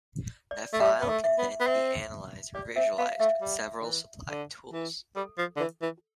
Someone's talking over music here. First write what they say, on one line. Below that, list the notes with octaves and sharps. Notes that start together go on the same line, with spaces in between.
That file can then be analyzed or visualized with several supplied tools.
D5
A3
G3 E5
B3
A3
E5
B3
B3
C4 E5
G4 D5
C4 E5
B3 F5
A3 E5
G3
D3
E3
D3
E3
G3 A4
F3
D3
E3
E3